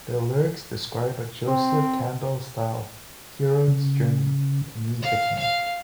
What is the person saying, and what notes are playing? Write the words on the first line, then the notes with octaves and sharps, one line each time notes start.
The lyrics describe a Joseph Campbell-style "hero's journey" to meet a king.
C4
C#3
F5
F5